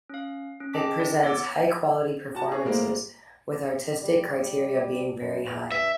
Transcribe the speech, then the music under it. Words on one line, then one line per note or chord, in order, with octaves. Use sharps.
It presents high quality performances, with artistic criteria being very high.
C#4 F5
C#4
G#4 D#5 G5 A5 D6 B6
E4 D5
B3 C#5 F#5 D6 E6 A6
F#4 A5
G#4 C#5
A2 G3 G#3 A#3 A#4 C5
G3
F#2
E2
G2 E5